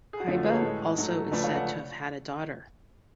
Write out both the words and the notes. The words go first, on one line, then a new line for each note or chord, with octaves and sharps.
Pybba also is said to have had a daughter.
G#4
F#4
F2 D3 F3 A3 C#4 F4
F#4 A4
G#4 B4
A4 C#5
A2 G#3
G#2 F#3 A3
D2 C#3 F3 A3 B4 D5
C#5 F5
D5 F#5